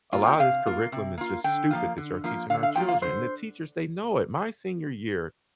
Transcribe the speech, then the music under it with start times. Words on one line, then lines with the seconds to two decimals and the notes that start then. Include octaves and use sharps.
a lot of this curriculum is just stupid that you're teaching our children." And the teachers, they know it. My senior year,
0.12 A#3 F4
0.26 G5
0.39 C3 F5
0.66 A#3 F4
0.92 C3
1.18 A#3 F4
1.44 D3 G5
1.71 F3 A#3 F4
1.98 D3
2.24 F3 A#3 F4
2.50 D3 F5
2.63 F5
2.75 F3 A#3 F4 G5
2.88 F5
3.02 D3 C5